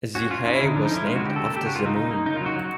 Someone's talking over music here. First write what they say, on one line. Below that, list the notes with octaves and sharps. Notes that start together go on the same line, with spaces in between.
The Hay was named after The Moon.
C#4 F#4
C#4 F4
C#4 D#4
E4
D3
D#4
F3 D4
D#4
C#4 E4
G#3 F4
F#4
D3
G4
C#3 A4
A4
A#3
G4
C#3 F#4
F4
C#3 D#4
C#3 D#4
A#3
C#3 D#4
F4
F#3 F#4
F#3